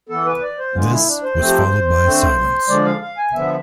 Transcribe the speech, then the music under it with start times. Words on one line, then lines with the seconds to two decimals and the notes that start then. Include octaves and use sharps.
This was followed by a silence.
0.09 E3 B3 A4
0.26 B4
0.42 D5
0.58 C5
0.74 D3 G#3 B3 F4
0.90 E4
1.07 D4
1.23 C5
1.39 C3 F3 A3 C4
2.03 D3 A3 C4
2.68 D3 F3 G#3 D5
2.85 F5
3.01 F5
3.17 G#5
3.33 D3 F3 B3 E5